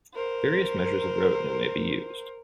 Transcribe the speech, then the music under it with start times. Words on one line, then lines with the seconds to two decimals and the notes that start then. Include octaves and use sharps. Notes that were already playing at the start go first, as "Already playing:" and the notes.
Various measures of revenue may be used.
0.15 A#4 C5